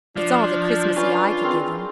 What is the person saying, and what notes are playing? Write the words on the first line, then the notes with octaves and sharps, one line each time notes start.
It's all the 'Christmassy' I could give them.
F3 D4
C#4 F4 B4 D5
C4 G#4 A#4